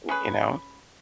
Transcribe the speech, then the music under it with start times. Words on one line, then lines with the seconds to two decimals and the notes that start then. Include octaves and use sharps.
Y you know?
0.09 C#4 G#4 B4